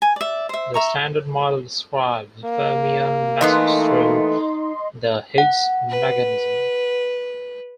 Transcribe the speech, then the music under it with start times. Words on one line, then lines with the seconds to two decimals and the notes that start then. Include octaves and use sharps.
The Standard Model describes fermion masses through the Higgs mechanism.
0.02 G#5
0.16 D5 E5
0.49 C5 E5
0.74 E5 A#5 C#6
2.45 A#3
3.41 E3 A3 B3 D#4 D#5 C6
5.38 F#5
5.90 B4